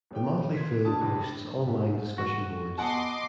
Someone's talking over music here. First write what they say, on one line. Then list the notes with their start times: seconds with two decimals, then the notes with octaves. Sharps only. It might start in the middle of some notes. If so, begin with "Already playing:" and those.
The Motley Fool hosts online discussion boards.
0.11 D#1 C#4 G5
0.55 C6 G#6 B6
0.85 B2 D4 A5 D#6
1.01 A2 C3
1.64 G#2
2.18 F#4
2.78 B3 D#5 F#5 G#5 A5 C6 D6